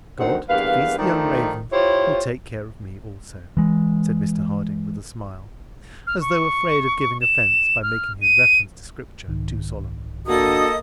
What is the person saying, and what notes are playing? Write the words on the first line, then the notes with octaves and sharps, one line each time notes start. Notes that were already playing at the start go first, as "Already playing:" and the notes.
"God, that feeds the young ravens, will take care of me also," said Mr Harding, with a smile, as though afraid of giving offence by making his reference to scripture too solemn.
D2 D#3 C4 D#4 C5 F#5
E2 G2 A#3 B4 F5
D#3 F3 A3 D4 D#4
E4 F4 G4 C5 C#5
E3 G#3
F6
C#6
E7
F6
D#7
C2 G#2 D#3
A#3 D4 F#4 A4 D#5 D#6